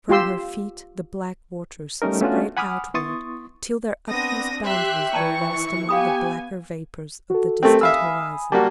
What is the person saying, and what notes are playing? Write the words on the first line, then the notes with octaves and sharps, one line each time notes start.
From her feet the black waters spread outward, till their utmost boundaries were lost among the blacker vapors of the distant horizon.
F4 G4 C6 E6
G3 A3 C#4 D#4 A#4
A3 B3 C#4 D4 F4 F#4
F#5 G#5 B5 D6 D#6 F6
B3 E4 C6 C#6 D#6 A6
B3 C4 D4 D#6 A#6
G4 E5 G5 C6 F#6
E3 E4 D5 A5 A#5 C#6
B3 G4 F5 G#5 B5 D#6
F#4 A4
A3 C4 G4 A4 A#4
E5 F5 G#5 B5 D#6 E6
G3 A#3 F#4 A5